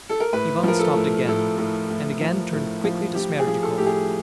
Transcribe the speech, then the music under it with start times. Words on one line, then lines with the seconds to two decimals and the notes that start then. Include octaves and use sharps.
Ivan stopped again, and again turned quickly to Smerdyakov.
0.09 A4
0.20 A#4
0.33 A2 B4
0.63 F3 A#4
0.79 A4
0.95 A2
1.27 A2 A4
1.58 A2
1.89 A2
2.20 F3
2.53 A2
2.84 F3
3.15 F3 G4
3.39 G#4
3.47 F3
3.63 A4
3.78 A2 G4
3.86 G#4